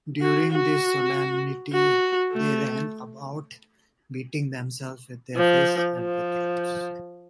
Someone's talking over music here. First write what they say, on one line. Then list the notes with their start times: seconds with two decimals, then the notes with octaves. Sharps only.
During this solemnity they ran about, beating themselves with their fists and with rods.
0.21 F#4
0.52 F#4
1.73 F#4
2.33 A3
5.36 F3
5.97 F3